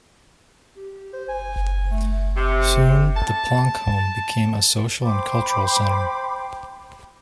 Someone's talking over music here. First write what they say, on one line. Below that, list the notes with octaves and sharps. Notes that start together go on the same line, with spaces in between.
Soon the Planck home became a social and cultural center.
G4
C5
G#5
A3
C3
A5
C5 G5 B5 D6